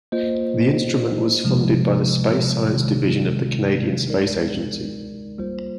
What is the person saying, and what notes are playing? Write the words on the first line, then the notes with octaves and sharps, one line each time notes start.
The instrument was funded by the Space Science Division of the Canadian Space Agency.
A#3 F4 C5 D#5
C3 F3 G#3
C3 D#3 G#3
G#3 D#4 A#4 D5
G3 A#3 F4 C5